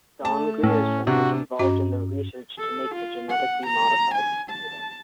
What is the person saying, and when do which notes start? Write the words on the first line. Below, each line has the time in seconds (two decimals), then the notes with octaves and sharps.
Don Grierson was involved in the research to make the genetically modified tomato.
0.25 A3 A5
0.63 A2 C#4
1.07 C3 D4 F#4
1.59 G2 C#4 F#4 D#5 A#5
2.59 A4
2.95 F4
3.29 F#5
3.66 A#5
4.14 G#5
4.50 A5